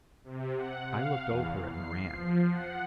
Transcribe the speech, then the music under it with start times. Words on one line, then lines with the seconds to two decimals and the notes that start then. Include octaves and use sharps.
I looked over at Moran.
0.24 C3
0.57 F#5
0.90 F5
1.27 E2
1.68 C7
2.11 F3
2.51 F#5